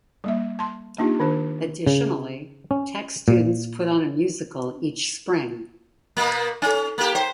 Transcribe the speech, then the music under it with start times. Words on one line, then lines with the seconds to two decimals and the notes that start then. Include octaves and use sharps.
Additionally, Tech students put on a musical each spring.
0.24 G3 A#3 E5
0.59 A5 C6
0.98 A#3 D4 D#4 F4 G4
1.20 D#3 D4 C5
1.87 C#3
2.71 C#4
3.28 A#2
6.17 B2 A#3 B3
6.62 C#4 A4 G#5
6.98 A#3 G4
7.15 C5 G5